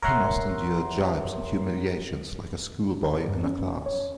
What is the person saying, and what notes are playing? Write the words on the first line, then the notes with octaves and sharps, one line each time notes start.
He must endure gibes and humiliations like a schoolboy in a class.
A#4 C#5 E5 F#5 A#5 C6
G2
C#4
C#5